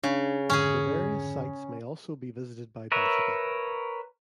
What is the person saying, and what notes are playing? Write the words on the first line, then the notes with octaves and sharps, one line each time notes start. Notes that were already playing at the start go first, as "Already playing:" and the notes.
The various sights may also be visited by bicycle.
C#3 D4
F2 G#2 D3 C#4 G#4
A#4 B4 C#5 E5